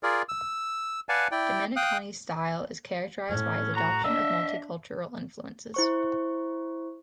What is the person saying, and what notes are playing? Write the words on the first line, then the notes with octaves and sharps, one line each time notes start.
Domeniconi's style is characterized by his adoption of multicultural influences.
F4 G#4 A#4 D5
E6
B4 D5 F5 F#5 G#5 A5
E4 D5 G5
F5 G5 D#6 F#6
A2 C#4
F#4 A#5
D4 D#5 E5 E6
E4 C5 C#6